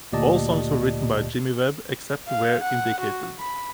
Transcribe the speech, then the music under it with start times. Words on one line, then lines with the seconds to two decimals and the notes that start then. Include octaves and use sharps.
All songs were written by Jimmy Webb, except where indicated.
0.12 D2 A#2 G4 D5 D#5 A5
2.29 F5
2.62 F#5
3.00 F#4
3.39 B5